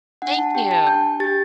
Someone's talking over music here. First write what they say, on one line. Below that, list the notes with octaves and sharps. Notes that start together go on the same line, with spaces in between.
Thank you.
D4 F#5
A5
G4 G5
A5
D4 G6
G4 A6